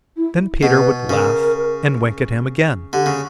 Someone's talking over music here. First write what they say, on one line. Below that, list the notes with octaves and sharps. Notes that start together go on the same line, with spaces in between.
Then Peter would laugh and wink at him again.
E4
B2
B4
C#3 A#4
D3 G4
C#3